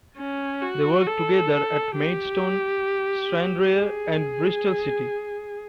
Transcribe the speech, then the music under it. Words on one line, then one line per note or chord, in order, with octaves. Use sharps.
They worked together at Maidstone, Stranraer and Bristol City.
C#4
F#4
A4
G4
G#4